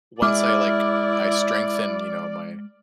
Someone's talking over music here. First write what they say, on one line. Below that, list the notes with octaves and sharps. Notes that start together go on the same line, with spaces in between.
once I, like, I strengthen, you know, my
G#3 E4 D5 D6 F6